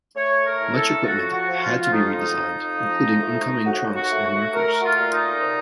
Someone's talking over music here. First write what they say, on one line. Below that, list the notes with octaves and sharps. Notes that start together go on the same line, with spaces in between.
Much equipment had to be redesigned, including incoming trunks and markers.
A3 C#5
A#4
A2
A4
F3 F#4
F#4
F3
F4
F4
F2 D#4
F2
F3
A3
D#2 F#4
F#4
A3
F#4
A3 A#4
F#4
F4
A#2
D#4
C3